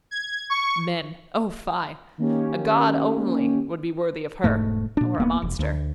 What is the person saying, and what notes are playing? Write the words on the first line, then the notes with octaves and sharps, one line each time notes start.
Men! oh, fie! a god only would be worthy of her, or a monster.
G#6
C#6
D#3 A#3 C#4 G4
E1 E2 G#2 A3
A#2 D4
D1 A#3 B3
E1
D2